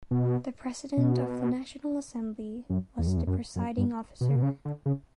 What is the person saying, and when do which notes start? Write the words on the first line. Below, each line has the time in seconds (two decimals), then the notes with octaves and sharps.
The President of the National Assembly was the presiding officer.
0.11 B2
0.97 B2
2.70 F#2
2.98 E2
3.07 F#2
3.17 E2
3.27 F#2
3.56 F#2
3.77 G2
4.21 B2
4.29 C#3
4.36 B2
4.43 C#3
4.65 D3
4.86 C#3